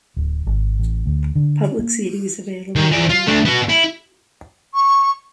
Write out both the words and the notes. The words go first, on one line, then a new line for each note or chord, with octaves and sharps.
Public seating is available year round.
D1
G#1
A1
D2
D3
A#3
D#3
E3 D5
F4
A3 D4
B3 F#4
E4
C#6